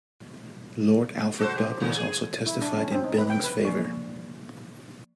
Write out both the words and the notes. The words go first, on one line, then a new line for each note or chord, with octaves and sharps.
Lord Alfred Douglas also testified in Billing's favour.
F#4 A4 C5
G4
E2 A2 D#3
G#4
E4
D4
C#4
C4
D#4
B4
G5
B4
F3 A#3 D4